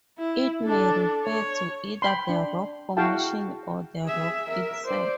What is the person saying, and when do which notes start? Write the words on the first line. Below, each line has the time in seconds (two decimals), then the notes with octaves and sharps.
It may refer to either the rock formation or to the rock itself.
0.19 E4
0.63 D4 A4
1.25 C#5
2.02 G5 B5 C6
2.29 D4
2.97 E4 F#4 G#4 F5 G5 A5
4.06 G#4 E5
4.49 A#4 E5
4.85 C5 D5